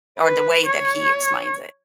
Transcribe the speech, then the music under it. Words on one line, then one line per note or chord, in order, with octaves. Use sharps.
or the way that he explains it.
B4
C#5